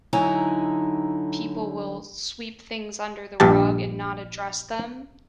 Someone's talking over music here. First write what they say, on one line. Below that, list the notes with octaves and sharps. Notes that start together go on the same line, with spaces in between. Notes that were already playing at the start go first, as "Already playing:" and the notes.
people will sweep things under the rug and not address them,
D3 F#3 D#4 E4 G#5 A#5
A#1 G2 G4 A5